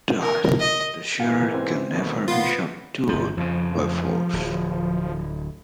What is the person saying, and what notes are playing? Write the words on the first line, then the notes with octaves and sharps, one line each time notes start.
Thus, the Sharers can never be subdued by force.
A#4
D#5
G#2 C3 E3 A#4 F5 G#5
C4
C2 B2 D3 D#3 A#3
B3 F4
G1 F3
F2 C#3 F3
D1